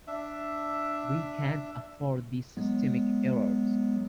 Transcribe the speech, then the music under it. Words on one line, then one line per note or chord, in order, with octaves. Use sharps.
We can't afford these systemic errors.
D4 E5
F#3 G#3 B3